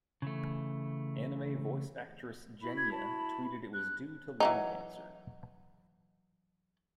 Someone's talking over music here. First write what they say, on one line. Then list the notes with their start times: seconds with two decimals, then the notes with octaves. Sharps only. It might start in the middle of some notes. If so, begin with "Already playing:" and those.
Anime voice actress Jenya tweeted it was due to lung cancer.
0.22 C#3 E3 A3
2.63 E4 F#4 B5
2.77 G#6
2.92 A5
3.73 F#6
4.40 E3 F#3 D#4